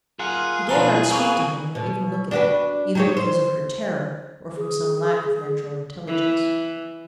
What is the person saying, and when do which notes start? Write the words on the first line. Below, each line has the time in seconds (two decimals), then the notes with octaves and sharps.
She dared not speak to him, nor even look at him; either because of her terror, or from some lack of natural intelligence.
0.19 F4 G#4 A#4 F#5
0.69 B2 F3 F4 A4 B4 A#5
0.90 E4
1.11 A#3 C4 B4 C#6
1.75 B2
2.31 D4 F#4 B4
2.95 F#3 D#4 C#5
3.17 C5
4.57 G#4
6.07 E3